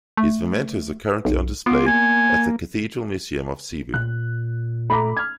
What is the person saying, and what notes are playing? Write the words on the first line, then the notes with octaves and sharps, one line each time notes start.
His mementos are currently on display at the Cathedral Museum of Cebu.
A3
B1
B3 F4 C6 D6
A#3 G#5
A#2 F#6
A3 A#5 B5 D6
F6 G#6